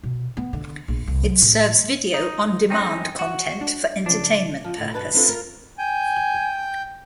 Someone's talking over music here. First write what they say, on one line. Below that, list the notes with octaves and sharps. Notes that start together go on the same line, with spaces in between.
It serves video on demand content for entertainment purpose.
B2
B3
D3
A#1
C2
F#3
A2
D#4
C4 C#4 D#4
F#4
D4
C#3 F3 D4
F3
A2
G2 B2 D4 B4 A5
C4 D4 E4 F4 A4 B4
F4 A#4
G5 G#5